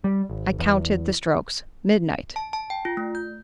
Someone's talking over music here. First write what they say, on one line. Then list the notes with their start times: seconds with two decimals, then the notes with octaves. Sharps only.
I counted the strokes--midnight!
0.04 G3
0.30 G#1
0.59 E2
2.36 A5
2.53 A5
2.70 G5
2.85 F4
2.97 A3
3.15 G6